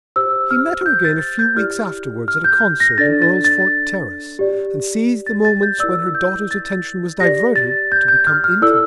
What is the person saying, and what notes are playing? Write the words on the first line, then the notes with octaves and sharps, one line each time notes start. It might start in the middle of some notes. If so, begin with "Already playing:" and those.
He met her again a few weeks afterwards at a concert in Earlsfort Terrace and seized the moments when her daughter's attention was diverted to become intimate.
G4 C5 E6
F6
G6
A6
G6
E4 G4 D5 F6
F6
G6
A#6
D4 A4 D5 A6
A6
A6
G4 D5
A6
A6
G6
E4 A#4 D5 E6
G6
A6
G4 D5 A#6
A6
G6
G6
F6
F6
E4 A4 D5 E6